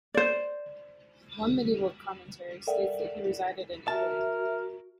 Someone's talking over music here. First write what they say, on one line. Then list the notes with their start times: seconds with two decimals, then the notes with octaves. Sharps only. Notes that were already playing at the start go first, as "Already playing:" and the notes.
One medieval commentary states that he resided in Italy.
0.14 C5 D5
2.67 A4 A#4 D5 E5 F#5 G5
3.88 F#4 A#4 E5 A5